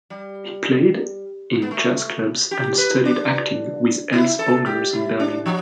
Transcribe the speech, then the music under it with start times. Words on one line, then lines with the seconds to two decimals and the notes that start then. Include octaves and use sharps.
He played in jazz clubs and studied acting with Else Bongers in Berlin.
0.10 G3
1.62 B3
1.71 A3
2.51 G4
2.78 B4
3.05 D4
4.13 E4
4.39 A4
4.66 G4
4.93 E4
5.20 D4
5.46 F3